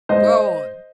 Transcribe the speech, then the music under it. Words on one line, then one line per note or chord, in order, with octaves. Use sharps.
"Go on."
G#2 C5 D#5